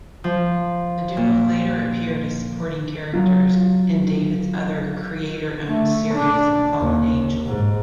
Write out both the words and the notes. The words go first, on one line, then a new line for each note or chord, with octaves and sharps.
The duo later appeared as supporting characters in David's other creator-owned series, "Fallen Angel".
F3
A#2
F#3 F4
A3
D4
D#2
G#2